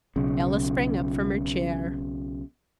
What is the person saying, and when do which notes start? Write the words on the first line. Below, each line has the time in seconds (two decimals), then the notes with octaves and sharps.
Ella sprang up from her chair.
0.16 B1 C#3